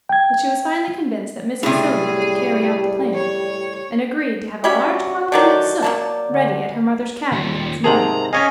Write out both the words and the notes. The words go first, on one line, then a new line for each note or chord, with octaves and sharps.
But she was finally convinced that Missy Sylvia could carry out the plan, and agreed to have a large quantity of soot ready at her mother's cabin the next morning.
G5 G#6
A2 C3 G3 G#4
C#5
G3 C#4 F#4 E5
D3 D#3 F#3 D5 D6 G6
F#3 A#3 A5
D3
D#2 F4
G#2 C3 G#4 A#4 A5 A#5 F#7
C#4 C#5 D#5 F5 G#5